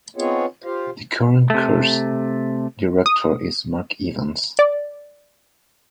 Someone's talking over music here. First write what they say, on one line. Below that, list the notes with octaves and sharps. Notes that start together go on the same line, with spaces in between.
The current course director is Mark Evans.
B3 C4 D#4 F4 G#4 C#5
F4 G4 C5 F5
C3 A3
D#6
D5